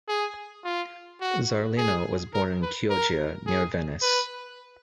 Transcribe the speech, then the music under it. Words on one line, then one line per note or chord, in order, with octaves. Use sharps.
Zarlino was born in Chioggia, near Venice.
G#4
F4
F#4
G#4
A#4
B4
A#4
G#4
B4